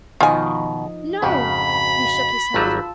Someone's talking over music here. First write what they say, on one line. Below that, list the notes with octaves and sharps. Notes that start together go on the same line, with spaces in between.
"No," he shook his head.
B2 D#3 F3 D#4 F4 D#5 G#5
F2 G#2 C#3 F#4 B5
G#1 F#3 G3 F4 A5 E6